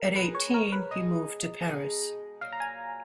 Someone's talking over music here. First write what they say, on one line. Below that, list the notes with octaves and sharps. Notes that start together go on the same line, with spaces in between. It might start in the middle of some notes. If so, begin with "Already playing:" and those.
At eighteen he moved to Paris.
Already playing: A#4
B2 G#3 D#4 G#4 B4
C#5
A#4
B4
B2 G#3 D#4 G#4 D#5
B2 G#3 D#4 G#4
A#2 F#3 A#3 F5
A#5
G#5